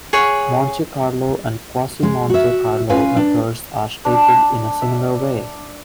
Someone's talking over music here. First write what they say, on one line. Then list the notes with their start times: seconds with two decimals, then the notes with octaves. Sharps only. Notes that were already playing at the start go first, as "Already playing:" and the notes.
Monte Carlo and quasi-Monte Carlo methods are stated in a similar way.
0.13 G#4 C#5 F#5
2.03 G#3
2.30 F#4 E5
2.89 C#4 F4 B4 F5 G#5
3.16 D4
4.05 D4
4.82 E5